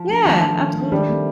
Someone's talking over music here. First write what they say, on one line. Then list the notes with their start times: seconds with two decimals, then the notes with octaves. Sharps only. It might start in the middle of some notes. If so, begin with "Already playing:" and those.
Yeah, absolutely.
Already playing: F3
0.09 A3 D4
0.25 D#3 F3
0.42 A3 D4
0.58 D#3
0.74 A3 D4
0.92 D#3 G3
1.09 A3 C4